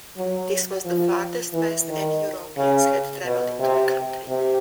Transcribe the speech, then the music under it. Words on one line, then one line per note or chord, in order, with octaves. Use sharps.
This was the furthest west any Europeans had travelled into the country.
F#3
F3
E3
D#3
C#3
B2
C3
C3